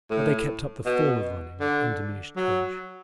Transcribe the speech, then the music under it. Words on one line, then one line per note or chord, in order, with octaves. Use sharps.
But they kept up the form of running with undiminished courage.
A2
B2
D3
F#3